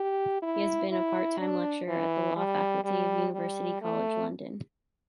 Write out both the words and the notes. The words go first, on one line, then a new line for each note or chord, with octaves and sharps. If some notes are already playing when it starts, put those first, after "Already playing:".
He has been a part-time lecturer at the Law Faculty of University College London.
Already playing: G4
E4
E4
D4
E3
G3
G3
G3
A3